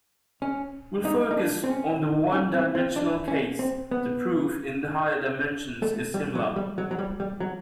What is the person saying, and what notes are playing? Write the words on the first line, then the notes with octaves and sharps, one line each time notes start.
We'll focus on the one-dimensional case, the proof in higher dimensions is similar.
C#4
D#4
D#4
D4
C4
C#4
C#4
C4
C4
D4
C#4
C4
B3
A3
G3
F#3
G3
F#3
F#3
G3
G3
F#3